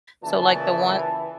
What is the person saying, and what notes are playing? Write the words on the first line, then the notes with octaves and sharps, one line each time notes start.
so like the one
A#2 C#3 E3 A5